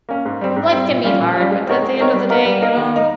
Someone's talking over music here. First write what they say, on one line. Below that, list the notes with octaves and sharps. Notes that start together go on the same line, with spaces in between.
Life can be hard, but at the end of the day, you know,
A#3 C#4
G#2
G3 C4
G#2
G3 C4
A#2
G3 C#4 F4
A#2
G3 C#4 F4
G#3
C4 D#4 A#4 C#5
G#3
C4 D#4 A#4 C#5
G3
A#3 D#4 A#4
G3
A#3 D#4 A#4
D#3
A#3 D#4